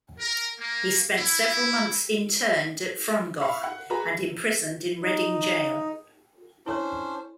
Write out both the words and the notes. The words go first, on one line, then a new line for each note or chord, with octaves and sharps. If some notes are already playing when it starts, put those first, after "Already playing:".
He spent several months interned at Frongoch and imprisoned in Reading Jail.
A#4
A#3
E4
E5 F5 B5 C#6
F#5
F#4 G#4 B4 A#5
D#4
C#4 D4 E4 A4 C5 C#5